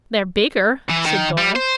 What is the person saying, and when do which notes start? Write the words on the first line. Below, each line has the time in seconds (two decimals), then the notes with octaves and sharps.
"They're bigger," said Dora.
0.90 E3
1.06 D#3
1.38 G3
1.55 C5